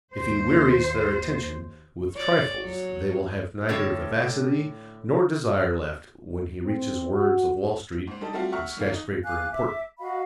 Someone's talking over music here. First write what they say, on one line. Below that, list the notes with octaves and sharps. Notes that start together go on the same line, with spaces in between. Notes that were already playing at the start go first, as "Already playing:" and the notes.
If he wearies their attention with trifles they will have neither vivacity nor desire left when he reaches words of Wall-Street and skyscraper importance.
D#2 C5
C#5 D5
F#3 C#5
A2 D3 C#5
C4
F#4
G#2 C5
G3 D4 D#4 A4
F#3 G3 A3 C4 F4 F#4
E5 F#5 A#5 C#6 E6 F6
G1 D#3 F5
D#4
F5 G#5 D6 F#6
E5 D6
F#4 D#5 F5 B5